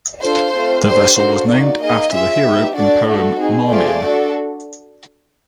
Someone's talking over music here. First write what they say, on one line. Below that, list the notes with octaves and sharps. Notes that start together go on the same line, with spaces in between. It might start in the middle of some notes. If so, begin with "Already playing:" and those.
The vessel was named after the hero in poem Marmion.
D4 F4 A4 C5
A3 C4 F4 A4
A3 D4 G4 C5
A#3 D4 F#4 A4 C5
A#3 D#4 F#4 D5
A#3 D#4 G#4 D#5
C#4 F4 G#4 E5
B3 D#4 G4
D4 F#4 A4 D5
A3 D4 F#4 A4
C4 D#4 G#4
A3 C4 F4 G#4 D5
D4 F#4 A4